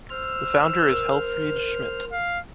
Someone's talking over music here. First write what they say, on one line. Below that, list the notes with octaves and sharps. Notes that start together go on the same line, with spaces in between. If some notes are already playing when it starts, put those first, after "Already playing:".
The founder is Helfried Schmidt.
C5 E6 F6
A#4
F5